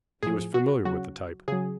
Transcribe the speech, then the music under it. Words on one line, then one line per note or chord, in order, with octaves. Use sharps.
He was familiar with the type.
A2 F3 G#4
F#4
C#3 F#3 F#4
C#3 F#3 G#4